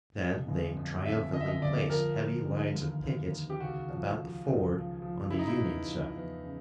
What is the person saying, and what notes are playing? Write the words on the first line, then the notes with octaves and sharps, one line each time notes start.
Then they triumphantly placed heavy lines of pickets about the ford on the Union side.
F2
G1
F2
F2 E5
D3 D#5
E5
D#5
G1 D5
F3 A#4
F3
D3
D#2
D#2
D#2
G4
C#2 F#4
F3
F3
C#2
F3
F3
C#3 E4
D#4
E4
E2
F3
E2
C#3